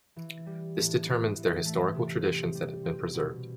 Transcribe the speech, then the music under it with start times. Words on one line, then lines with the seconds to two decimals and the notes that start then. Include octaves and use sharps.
This determines their historical traditions that have been preserved.
0.16 E3
0.46 G3
0.76 A2
1.06 B3
1.35 E3
1.65 A3
1.95 C3
2.25 C4
2.55 G3
2.85 C4
3.14 B2